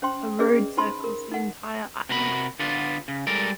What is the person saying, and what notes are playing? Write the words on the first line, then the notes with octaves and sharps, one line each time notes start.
A road circles the entire island.
C#4 C5 G5 C6
C#4 G#4 B4 D5 D#5
D#4 C5 A5 B5 C6
A#4
D#4 F#5
C3 F#4 A#4 B5
D3 B3 D4 F4
C#3
G3 G#3 A4 A#4 D5